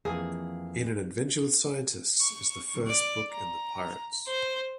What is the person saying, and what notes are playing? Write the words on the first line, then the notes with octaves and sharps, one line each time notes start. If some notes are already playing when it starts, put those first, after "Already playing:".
In an Adventure with Scientists is the first book in The Pirates!
F2 E3 A#3 G#4
C#6
D5
A#5
C5